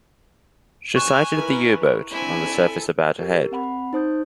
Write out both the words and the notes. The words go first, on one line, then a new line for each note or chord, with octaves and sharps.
She sighted the U-boat on the surface about ahead.
G#5 C#6 F#6 E7
E4 A#4 B4
C4 D4 E4 G#5
A4
G4 A#4
C4 F#5 B5
D#4 C5 D#6 G6